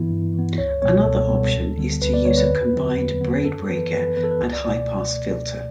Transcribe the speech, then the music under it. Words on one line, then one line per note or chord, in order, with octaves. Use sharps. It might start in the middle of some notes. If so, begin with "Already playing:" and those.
Another option is to use a combined braid breaker and high-pass filter.
Already playing: G2 E3 B3 E4
G2
E3 B3
C#2 C#5
B2 G3 B3 C#5
C#2 A4
B2 G3 B3
D2
D3 G3 B3
D2 B4
D5
D3 G3 B3 C#5
B4
E2
D3 F#3 B3
E2
D3 F#3 B3
F#2 A4
E3 B3 B4
F#2 B4
E3 B3 B4
A4
B4
C#2
D5
B2 A3 D5